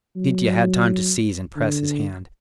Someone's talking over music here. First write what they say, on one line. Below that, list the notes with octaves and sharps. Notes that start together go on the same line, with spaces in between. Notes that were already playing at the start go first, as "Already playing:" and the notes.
Mitya had time to seize and press his hand.
F#3
D3